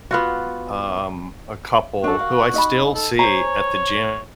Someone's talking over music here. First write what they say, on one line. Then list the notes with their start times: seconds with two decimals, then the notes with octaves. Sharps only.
um, a couple who I still see at the gym
0.11 B3 F4 F#4
2.04 D4 F#4 A4
2.19 A#4 F5
2.54 D#4 E5 B5
2.95 A4
3.19 C5 C#5 G#5 A#5